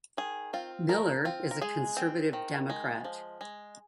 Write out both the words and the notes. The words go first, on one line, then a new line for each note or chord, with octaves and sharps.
Miller is a conservative Democrat.
D#3 G#4
C4 F4
F3 A#4
C4 F4
A#4
G#3 G#4
C4
D#3
G#3
F3
G#3